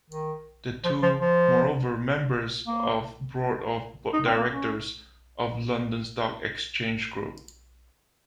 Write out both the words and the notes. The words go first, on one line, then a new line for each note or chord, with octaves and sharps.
The two, moreover, members of the Board of Directors of London Stock Exchange Group.
D#3
F3
F3
F3
A#3
D#4
C4
A#3
C#4